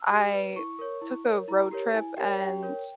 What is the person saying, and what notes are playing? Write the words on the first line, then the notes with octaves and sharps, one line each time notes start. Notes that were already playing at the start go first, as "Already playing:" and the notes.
I took a road trip and
Already playing: E6
G4
B4
E4 C#6
A#4 C#5
E4
A#4 C#5
E4 A#5
G4 A#4 C#5
E4 G#5
G4 A#4 C#5 G5
G4 G5
A#4 C#5